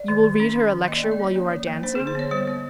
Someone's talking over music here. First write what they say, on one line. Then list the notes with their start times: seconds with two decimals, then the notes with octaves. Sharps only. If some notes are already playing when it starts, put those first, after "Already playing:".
"You will read her a lecture while you are dancing?"
Already playing: D5
0.08 D#3
0.24 D#3
0.40 C#4
0.56 D#3
0.72 D#3
0.88 A#3 D#5
0.95 D5
1.00 A#3 D#5
1.12 D5
1.20 C#4 C#5
1.35 A#3
1.51 F3
1.67 A#3
1.83 D4 C5
1.95 D3 G#4
2.07 C5
2.15 B3 C#5
2.31 G3 C5
2.47 B3